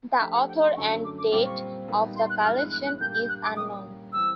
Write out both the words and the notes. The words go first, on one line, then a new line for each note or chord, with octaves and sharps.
The author and date of the collection is unknown.
F3 A3 D4 G4 E5
F#5
G5
C6
F#2 D3 F#3 A3 C#6
D6
D6
A#2 G3 C4 F4 D6
C#6
A#2 G3 B3 D#4
C6
F#6
G2 E3 G#3 B3 F6
F#6
F#6
F#6
A#2 G3 A#3 D4 G4 G6
G6
F#6
D6
A#2 G3 A#3 C#4 D#6
E3 G3 C4 E4 E6